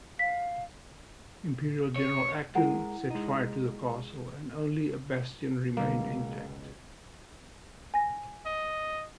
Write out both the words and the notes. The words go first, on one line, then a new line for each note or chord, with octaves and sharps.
Imperial general Acton set fire to the castle and only a bastion remained intact.
F5 B6
C#5
G#3 E4 A#4 F#5
G#3 D#4
C#2 B2 D3 D#3 G3 A#3
G#5 A#6
D#5